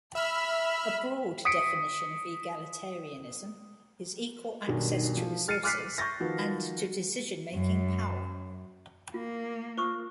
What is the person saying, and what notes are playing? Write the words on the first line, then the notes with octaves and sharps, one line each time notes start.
A broad definition of egalitarianism is equal access to resources and to decision-making power.
E5 B5 E6 F6
D#6 B6 C#7 D7
B1 G2 B2 D#3
F3
F6 A6 C7 C#7 D#7
D6 F6 F#6 A6 B6 C7
C#6 G6 A6 A#6
D#3 F3 F#4 B4
F#2
A#3 F4
F4 C5 C#6 D#6